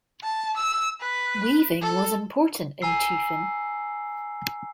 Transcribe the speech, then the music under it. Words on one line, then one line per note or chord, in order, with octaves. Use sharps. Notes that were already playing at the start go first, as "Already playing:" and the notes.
Weaving was important in Teufen.
A5
E6
B4
A4
G#5 A#5 E6 C7